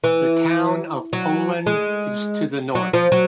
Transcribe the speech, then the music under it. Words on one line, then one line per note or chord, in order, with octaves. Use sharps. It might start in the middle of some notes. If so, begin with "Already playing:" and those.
The town of Poland is to the north.
E3
F#3
G#3
F#3
F3
F#3